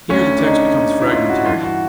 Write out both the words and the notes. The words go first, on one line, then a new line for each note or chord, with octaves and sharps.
Here the text becomes fragmentary.
D2 D3 C#4
D4
D#4
E4
F4
F#4
G2 E3 F4
F#4